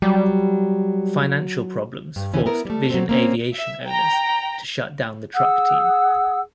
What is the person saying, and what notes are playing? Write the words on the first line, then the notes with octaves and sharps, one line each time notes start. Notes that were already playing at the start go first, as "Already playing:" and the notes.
Financial problems forced Vision Aviation owners to shut down the Truck team.
F#3 G3
G2
D2 C3 E3 C#4
B3 E4 A#4
G3 A3
F#3 C4
A#3 C4 C#4
E5
G5 A#5
G#4 F#5 D#6 E6